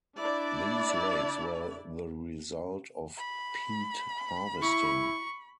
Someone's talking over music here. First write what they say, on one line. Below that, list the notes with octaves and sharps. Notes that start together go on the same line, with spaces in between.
These lakes were the result of peat harvesting.
D4 E4 D5
B5
E4 C#6